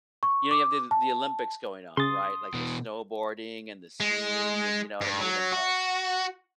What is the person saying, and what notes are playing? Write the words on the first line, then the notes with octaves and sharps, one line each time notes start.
you know, you have the the Olympics going on, right, like, the snowboarding, and the skiing, and, you know what I mean, and, like
C#6
D6
A5
C#3 C6 D#6 A6
B2 E3
G#3
G2
F#3
F#4